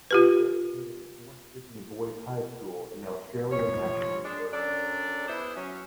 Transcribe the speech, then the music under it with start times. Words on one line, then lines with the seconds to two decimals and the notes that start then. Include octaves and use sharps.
He was educated at North Sydney Boys High School and the Australian National University.
0.11 F4 G4 B4
3.51 F3 C#5
4.25 G#3 D4
4.53 F#2 D4 A4 D5
5.28 B3 E4 G#4 B4 C5
5.56 F#3 C#4